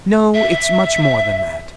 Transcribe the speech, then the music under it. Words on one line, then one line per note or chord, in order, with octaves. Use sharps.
No, it's much more than that.
E5